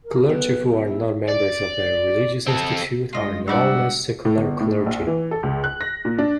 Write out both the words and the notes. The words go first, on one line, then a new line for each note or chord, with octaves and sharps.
Clergy who are not members of a religious institute are known as secular clergy.
A#4
B1 B4
E4
D5
C4 A4
G2 G#3 F4 D#5
G3 D4 F#4 B4 D5 E5 F#5
A2
G1
A2
A#1
E3
A4
C#2
F#6
A#6
A#2
D4